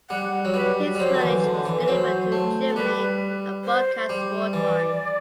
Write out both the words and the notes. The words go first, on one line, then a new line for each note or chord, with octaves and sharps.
His footage was delivered to Germany and broadcast worldwide.
G3 F#5
F#3
G3 B4
G3 D5
F#3 C5
D3
E3
D3
E3
E3
F#3 C5
A3
A4
G3 B4
C5
G3
E3 D5